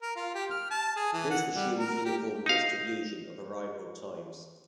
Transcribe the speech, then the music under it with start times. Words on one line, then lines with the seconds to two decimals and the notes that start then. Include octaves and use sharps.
This assumes uniform distribution of arrival times.
0.02 A#4
0.16 F4
0.35 G4
0.50 F6
0.70 A5
0.96 G#4
1.13 E3
1.30 F#5
1.54 G3
1.77 A#4
2.05 G4
2.46 D#4 F5